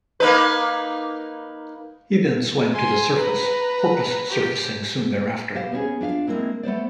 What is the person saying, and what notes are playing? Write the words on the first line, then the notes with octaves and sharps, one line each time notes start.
He then swam to the surface, "Porpoise" surfacing soon thereafter.
A#3 D#4 B4
G#5 C6
B4 A#5
G4
B2 G4 C5 F5
B3 C#4 F#4 G#4
D4 F4 E5 F5
G#3 A#3 C4 E4
A3 B3 C5 D5